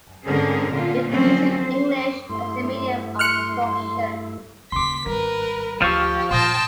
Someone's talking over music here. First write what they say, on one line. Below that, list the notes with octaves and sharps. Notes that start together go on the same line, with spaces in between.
It uses English as the medium of instruction.
G#2 D3 C4 C#4 G#4 A#4
A#2 D3 F4
D3 F3 F#3 A#3 C4 C#4
C5
G2 A3 E4 C6
C6 F6 F#6 C#7
D#2 C#3 C6 D6 B6
G#1 G3 A#4 B4
D2 F3 G4 F5 C#6 E6
A#2 G5 A5 C6 D#6 A#6